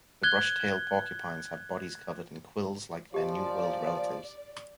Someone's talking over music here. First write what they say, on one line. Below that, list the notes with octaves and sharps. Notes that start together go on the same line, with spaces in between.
The brush-tailed porcupines have bodies covered in quills like their New World relatives.
F#6 G#6 G7
A#2 F3 G4 D5 D#5